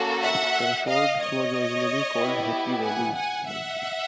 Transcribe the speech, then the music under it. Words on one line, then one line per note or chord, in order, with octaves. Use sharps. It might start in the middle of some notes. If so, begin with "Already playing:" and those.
Stafford was originally called Happy Valley.
Already playing: A#3 C#4 F#4 A4
E5 F#5
D#5 F5
C#5 D#5
B3 E4 G4
F#5 G#5
F#5 G#5
E5 F#5